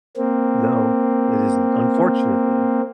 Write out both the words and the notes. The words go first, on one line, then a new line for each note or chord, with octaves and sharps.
No, it isn't. Unfortunately
A#3 C4